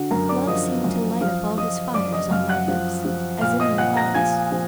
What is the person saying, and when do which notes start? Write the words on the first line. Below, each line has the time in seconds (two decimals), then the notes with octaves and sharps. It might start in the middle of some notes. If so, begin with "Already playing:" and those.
Love seemed to light up all his fires on their lips, as in their hearts.
Already playing: D3 F#4 F#5
0.10 F#2 A#4 A#5
0.29 D5 D6
0.47 F3 D#5 D#6
0.84 F#2
1.21 F3 F5 F6
1.58 F3 D#5 D#6
1.94 F#2 D5 D6
2.13 D#5 D#6
2.31 F#2 F5 F6
2.49 F#5 F#6
2.68 F3
3.05 F3
3.41 A#2 F5 F6
3.60 D#5 D#6
3.78 A#2 F#5 F#6
3.96 A#5 A#6
4.14 F3 G#5 G#6
4.51 F3